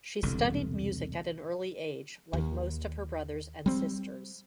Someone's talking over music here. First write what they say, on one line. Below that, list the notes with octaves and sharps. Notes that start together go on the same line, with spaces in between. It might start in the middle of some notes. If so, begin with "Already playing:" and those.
She studied music at an early age like most of her brothers and sisters.
E1 C2 D3
D#2
G3 C4